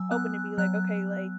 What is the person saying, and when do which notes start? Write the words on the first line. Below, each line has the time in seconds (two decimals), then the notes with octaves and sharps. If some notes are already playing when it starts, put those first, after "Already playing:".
open to be like, "Okay, like,
Already playing: F#3 G#5 E6
0.11 B3 F#6
0.58 F#3 F#6